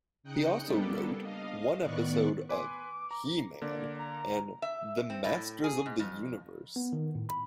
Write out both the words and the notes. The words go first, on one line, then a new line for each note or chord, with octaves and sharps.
He also wrote one episode of "He-Man and the Masters of the Universe".
C#3 D#4 G5 D#6 F#6 C#7
G3 A#3 B3 D4 G4 A4
D#5 F5
A2 D#3 B3 D5 C#6 F#6
B4 G#5 C6 D6
A#5
D3 A#3 D5
A#5
E5
C4
A2
G#4
G#2
F2
B3
D#3
A2
B5